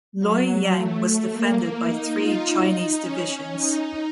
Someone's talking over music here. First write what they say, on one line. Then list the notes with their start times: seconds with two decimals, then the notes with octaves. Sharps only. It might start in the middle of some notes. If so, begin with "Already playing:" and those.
Luoyang was defended by three Chinese divisions.
0.19 F#3
0.47 F#3
0.75 A3
1.31 A#3
1.88 D#4
2.16 F4
2.44 D#4
3.00 C#4
3.57 D#4